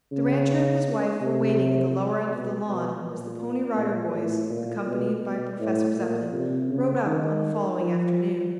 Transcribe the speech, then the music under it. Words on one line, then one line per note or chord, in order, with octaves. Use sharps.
The rancher and his wife were waiting at the lower end of the lawn as the Pony Rider Boys, accompanied by Professor Zepplin, rode up on the following afternoon.
C#3
C3
B2
B2
A#2
A#2
A2
A#2
B2
B2
A2
A#2
C3
C#3
D#3
F3